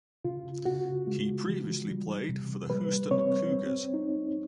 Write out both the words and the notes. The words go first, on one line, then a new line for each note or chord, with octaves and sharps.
He previously played for the Houston Cougars.
C#3 F4
C#3 F#4
G#3
E3
G3
C3
G3 B4
C4 C#5
C4
D#4